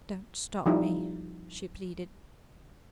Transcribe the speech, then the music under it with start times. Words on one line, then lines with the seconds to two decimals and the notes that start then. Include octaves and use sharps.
"Don't stop me," she pleaded.
0.66 F3 G3 D#4 E4